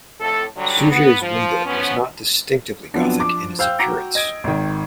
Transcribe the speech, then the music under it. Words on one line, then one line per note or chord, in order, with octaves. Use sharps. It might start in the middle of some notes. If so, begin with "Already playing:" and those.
Suger's window was not distinctively Gothic in its appearance.
F2 A2 A4
D3 F#3 G3
B3
F3
F3 B3 C#4
F3 F#3 B3 C4 D4
D6
C5 F5 G5 E6 G6
F#4 A#5 D6
D#5 G#6 D7
G#1 D#3